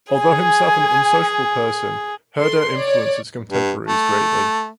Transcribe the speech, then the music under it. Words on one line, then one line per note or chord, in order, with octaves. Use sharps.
Although himself an unsociable person, Herder influenced his contemporaries greatly.
G#4 G#5
A4 C6
C#5 D5
G2
A3